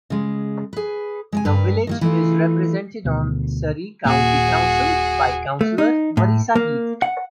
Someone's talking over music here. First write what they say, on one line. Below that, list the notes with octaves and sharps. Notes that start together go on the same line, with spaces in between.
The village is represented on Surrey County Council by Councillor Marisa Heath.
C#3 G#3
G#4 B4
G#3 D5 G#5
G2 A#4 B4
D#3 G3 A#3
E3 A3 D#4 F4
D2 B2
D#1 A#2 A#3 F#4 G#4
A3
D#4
A2
A#3
F#5